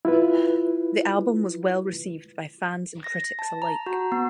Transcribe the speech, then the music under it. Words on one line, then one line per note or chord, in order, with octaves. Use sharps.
The album was well received by fans and critics alike.
E4 F4 B4
A#6
A5
A#5
F#4
B3